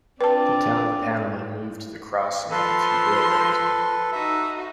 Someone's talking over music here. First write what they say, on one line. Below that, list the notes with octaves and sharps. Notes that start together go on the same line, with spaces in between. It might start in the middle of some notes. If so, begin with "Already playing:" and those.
The town of Panama moved to the crossing of the two railroads.
C4 D4 F4 B4 D5 G5 A5
F3 A4 B4 C6
D#4 F#4 E5